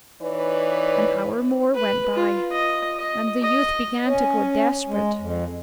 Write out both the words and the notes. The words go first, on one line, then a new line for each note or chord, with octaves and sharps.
An hour more went by, and the youth began to grow desperate.
E3 D#4 B4 C#5 D5
B4
F4
D#5
D#5
D#5
C#4
G#3
F2